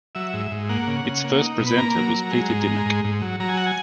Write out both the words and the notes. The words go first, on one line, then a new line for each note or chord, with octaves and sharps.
Its first presenter was Peter Dimmock.
F#3 E5
G#2
G#2
A#3 F#5
C#3
C#3
A#3
D#4
B2
B5
A#3 A#5
F#3
F#3
G#3
G#2
G#3
G#2
G#2
F#3
F#3 A#5
G#5
F#5
G#5